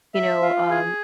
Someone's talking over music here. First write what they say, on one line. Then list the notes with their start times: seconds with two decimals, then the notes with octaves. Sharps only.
you know, um,
0.15 E5
0.42 F4
0.70 G#4